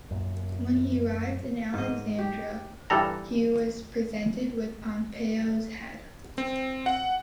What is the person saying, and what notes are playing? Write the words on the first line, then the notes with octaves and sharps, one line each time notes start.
When he arrived in Alexandria, he was presented with Pompey's head.
F#2 A#2
G#2 D#5
G4
G2 E3 G3 A4 A#5
C4
F#5